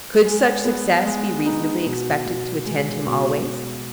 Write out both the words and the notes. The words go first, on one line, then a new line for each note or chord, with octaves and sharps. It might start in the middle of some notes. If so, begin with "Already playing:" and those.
Could such success be reasonably expected to attend him always?
G#3
B3
G#3
D#4
B2
B2
G#3
B2